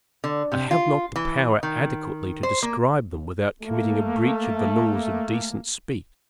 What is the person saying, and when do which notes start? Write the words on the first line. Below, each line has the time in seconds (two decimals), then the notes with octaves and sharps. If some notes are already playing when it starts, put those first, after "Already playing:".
I have not the power adequately to describe them without committing a breach of the laws of decent speech.
0.24 D3
0.52 C3
0.71 F4
1.16 E3
1.63 D#3
2.43 C5
2.63 A#3
3.62 A3 A#3